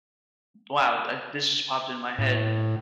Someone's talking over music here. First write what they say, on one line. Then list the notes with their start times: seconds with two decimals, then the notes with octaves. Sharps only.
Wow. Uh, this just popped in my head.
2.19 A2